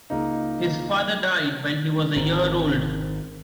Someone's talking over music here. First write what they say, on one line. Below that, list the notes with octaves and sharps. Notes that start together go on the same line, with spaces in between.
His father died when he was a year old.
C#2 A#3 D#4
G#1 D#3 C4